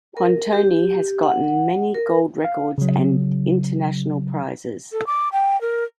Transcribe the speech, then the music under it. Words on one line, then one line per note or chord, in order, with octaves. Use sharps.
Pontoni has gotten many gold records and international prizes.
A#4
G4
F#5
A#4
F5
C#3 F#3
A4
D6
G5
A#4